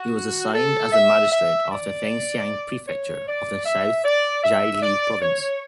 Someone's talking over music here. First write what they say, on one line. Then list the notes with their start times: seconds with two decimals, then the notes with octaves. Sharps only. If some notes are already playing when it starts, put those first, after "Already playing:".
He was assigned as the magistrate of the Fengxiang Prefecture of the South Zhili Province.
Already playing: F#4
0.54 A4
0.92 E5
1.32 E5
1.71 D5
2.87 C#5
3.27 D5
3.66 E5
4.04 D5
4.43 E5
4.82 D5
5.21 C#5